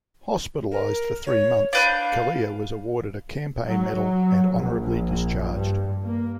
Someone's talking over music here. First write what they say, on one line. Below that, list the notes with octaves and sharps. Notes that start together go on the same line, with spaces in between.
Hospitalized for three months, Calleia was awarded a campaign medal and honorably discharged.
A#4
C#5
D4 B4 F5 G6
F#3
A#1
G2
A#3